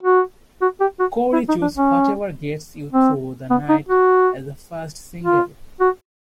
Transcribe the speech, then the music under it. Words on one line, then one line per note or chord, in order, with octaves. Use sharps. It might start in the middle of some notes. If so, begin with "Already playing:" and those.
Coury chose "Whatever Gets You thru the Night" as the first single.
F#4
F#4
G4
F#4
E4
D#4
D4
C#4
C4
B3
D#4
F#4
F4
F#4